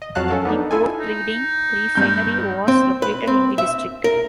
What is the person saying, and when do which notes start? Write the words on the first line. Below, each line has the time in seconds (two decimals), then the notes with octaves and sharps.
The Port Reading Refinery was located in the district.
0.02 D#5
0.15 F2 F#3 F#4 F5 A5 F#6
0.28 C#4 A4 A#4 A5
0.45 B3 D4 D#4
0.71 E4 F4 A4 G#5
0.99 D#4
1.95 G2 G6
2.68 C4
3.02 B4
3.27 C4
3.58 E5
4.04 A#4